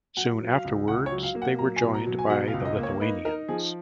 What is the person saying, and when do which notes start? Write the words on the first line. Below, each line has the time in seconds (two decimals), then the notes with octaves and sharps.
Soon afterwards, they were joined by the Lithuanians.
0.17 F#3 F#5
0.41 F#3
0.52 F5
0.65 C#2
0.88 C#2 F#5
1.06 C#5
1.12 F#3
1.23 F5
1.35 A#3
1.42 F#5
1.59 F#3 A#5
1.76 G#5
1.83 B2
1.94 A#5
2.06 F#3
2.19 G#5
2.30 B2 F#5
2.48 F5
2.54 C#2
2.65 D#5
2.78 A#3
2.83 C#5
3.01 D#4 B4
3.25 D#4 A#4
3.48 F3 G#4